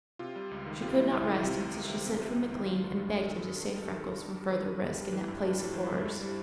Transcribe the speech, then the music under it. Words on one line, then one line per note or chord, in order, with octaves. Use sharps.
She could not rest until she sent for McLean and begged him to save Freckles from further risk, in that place of horrors.
C3 F4
G3
C#2
D#3
C3 F4
G3 E4
C#2
E4
D#3
C3 F4
G3
C#2
D#3
C3
G3
C#2
D#3
D#3 F4
G2
F#4
G2
G3 G#4
D#3 A4
G2
G2
G3
A4
D#3 A#4
G2
G2
G3
D#3 B4
G2
G2
G3
E3
G2
G2
G3
E3 C5
G2
G2
G3